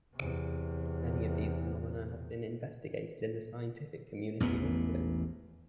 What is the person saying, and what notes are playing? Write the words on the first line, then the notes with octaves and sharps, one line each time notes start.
Many of these phenomena have been investigated in the scientific community also.
E2 C3
A1 E2 G#2 B3